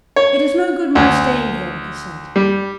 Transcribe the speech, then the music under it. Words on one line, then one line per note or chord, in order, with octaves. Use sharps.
"It is no good my staying here," he said.
C#5
D2
G3